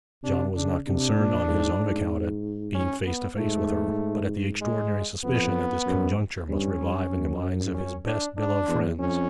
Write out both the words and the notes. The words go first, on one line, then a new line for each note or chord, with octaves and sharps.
John was not concerned on his own account at being face to face with her, but at the extraordinary suspicion that this conjuncture must revive in the minds of his best beloved friends.
C3 D4
C#3 D4
C3 D4
A#2
G#2
G#2
C#4
B3
G#2 A3
G#3
F2 B3
F#2
G2 C#4
G2
F#2
C#4
D4
D4
E2
F2 C#4